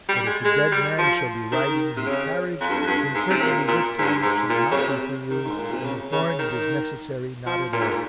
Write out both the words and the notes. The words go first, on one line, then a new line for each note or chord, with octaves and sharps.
But if the dead man shall be riding in his carriage, then certainly this time it shall not be for you and the horn it is necessary not at all.
G3
G#3
G#3
G3
F3
D#3
C3
C#3
F2
G2
F2
G2
G#2
C3
A#2
A#2
G#2
G2
G#2
A#2
C#3
C3
D#3
G#2
A#2
C3
C#3
C#3
D#3
F3
A#2
G#2
A#2